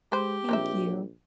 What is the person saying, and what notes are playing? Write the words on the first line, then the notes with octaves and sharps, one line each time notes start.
thank you.
G#3 G4 B4 C5
A#1 C4 D#4 E5